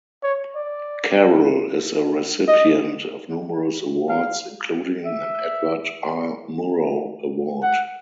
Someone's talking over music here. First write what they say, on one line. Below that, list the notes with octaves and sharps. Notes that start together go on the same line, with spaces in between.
Carroll is a recipient of numerous awards including an Edward R. Murrow Award.
C#5
D5
D#5
F5
E5
F#5